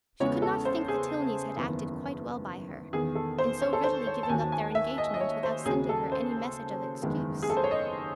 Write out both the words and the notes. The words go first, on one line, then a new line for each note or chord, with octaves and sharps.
She could not think the Tilneys had acted quite well by her, in so readily giving up their engagement, without sending her any message of excuse.
E2 C#3 E3 G#3 C#5
A4
C5
G#4
F#1 E2 D#3
E1 E2 D#3 G#4
A4
C5
C#5
A4
C5
C#5
A5
D#2 D#3 F#3 G#5
A5
G#5
E5
D#5
D#5
C#5
C5
D#2 C#3 F#3 G#4
A4
C5
F#1 E2 D#3 G#3
G#4
A4
C5
C#5
D#5